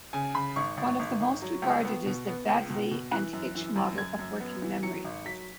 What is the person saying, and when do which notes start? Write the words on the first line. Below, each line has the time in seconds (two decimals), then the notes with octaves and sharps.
One of the most regarded is the Baddeley and Hitch model of working memory.
0.13 C#3 G#5
0.34 C#3 B5
0.56 G#1 C#6
0.77 G#1
0.99 G#1
1.20 G#1
1.42 F#3
1.62 C#2
1.85 B3
2.06 B2
2.27 B3
2.49 C#2
2.70 B2
2.91 B2
3.12 E3 F#6
3.33 F#2
3.55 E3
3.76 F#2
3.98 F#2 G#6
4.19 F#2
4.40 B3
4.62 E3
4.83 F#3 C#7
5.04 G#1
5.26 F#3 B6